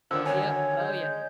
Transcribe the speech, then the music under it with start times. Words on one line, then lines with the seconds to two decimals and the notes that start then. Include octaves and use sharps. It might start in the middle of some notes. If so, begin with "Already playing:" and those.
yep, oh, yeah.
0.11 D3 D#3 F3 D4 E6
0.26 F#3 C#5 G#5
0.80 G#3 G6